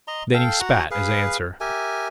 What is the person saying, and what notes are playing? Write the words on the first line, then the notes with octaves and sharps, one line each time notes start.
Then he spat, as answer.
D#5 A#5 C6
A4 F5 G5
F#4 F#5 A#5
G#4 B4 F5
G4 A#4 E5 G#5